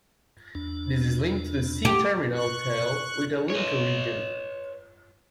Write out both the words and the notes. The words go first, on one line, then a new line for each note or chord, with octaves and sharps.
This is linked to the C-terminal tail with a linker region.
E2 D4
G4
C#6 F#6
B4 C#5